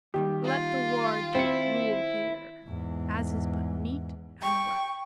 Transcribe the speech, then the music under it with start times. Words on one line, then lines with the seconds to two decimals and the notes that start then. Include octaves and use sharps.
Let the War-duke rule here, as is but meet and right.
0.14 D#2 D#3 G3 G4
0.44 F4
1.35 C4 E4 C#7
2.65 E2 G#2
4.43 G5 C#6